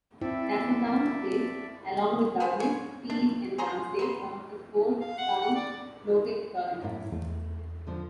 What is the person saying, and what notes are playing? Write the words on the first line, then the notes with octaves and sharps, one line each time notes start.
Castletown is, along with Douglas, Peel and Ramsey, one of four town local authorities.
C4 E4 A4 D5 E5
B3 G#4 C5
C#4 G#5
D4
C#4 G#4 A#5 C6
F#3 B3 C6
F5
F#5
F#5
D5
F#2 A2 E4
E2 A3
D3 F3 D4